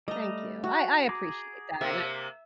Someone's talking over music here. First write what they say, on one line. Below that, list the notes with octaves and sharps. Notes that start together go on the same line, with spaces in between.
Thank you. I I appreciate that, and I
G3 A3 D#5 A#5
F#4
G#4 A#5 D6
C3 A#3 E5